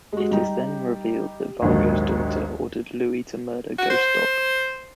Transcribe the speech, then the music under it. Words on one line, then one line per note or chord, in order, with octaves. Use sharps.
It is then revealed that Vargo's daughter ordered Louie to murder Ghost Dog.
G#3 F#4
G3 D#4 G4
A#1 D#2 G#2 D3 D#3 F#3
F#4
C5